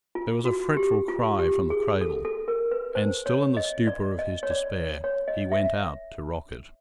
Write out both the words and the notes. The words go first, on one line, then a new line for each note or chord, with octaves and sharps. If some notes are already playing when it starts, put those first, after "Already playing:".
There was a fretful cry from the cradle, and, still in the stupor of his despair, he went out to rock it.
F4
F#4
G4
F4
G4
G#4
A4
A4
A#4
B4
C5
C#5
D#5
D5
D#5
C#5
D5
C#5
D#5
E5